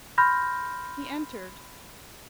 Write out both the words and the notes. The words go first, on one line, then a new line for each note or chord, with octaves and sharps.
He entered.
B5 C6 F6 G6 A#6